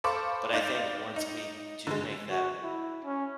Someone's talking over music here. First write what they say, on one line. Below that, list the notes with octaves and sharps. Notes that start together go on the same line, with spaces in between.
but I think once we do make that,
A4 C5 F5 B5 C#6 D6
D#4 D5 F5 G6
D#4
D3 G#3
F#4
E4
C#4